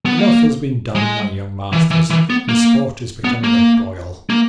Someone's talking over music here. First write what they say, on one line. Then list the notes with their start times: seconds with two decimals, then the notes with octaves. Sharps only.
"Enough has been done, my young masters, and the sport is becoming a broil."
0.05 B3
0.19 A#3
0.96 G#3
1.73 E3
1.91 E3
2.10 E3
2.30 B3
2.49 A#3
3.24 B3
3.44 A#3
4.30 A#3